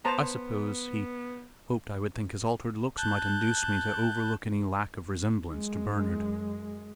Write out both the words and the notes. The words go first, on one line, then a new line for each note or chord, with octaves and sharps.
"I suppose he hoped I would think his altered looks might induce me to overlook any lack of resemblance to Bernard."
B3 C5 A5 A#5
A5 F#6 G6
F#2 G#3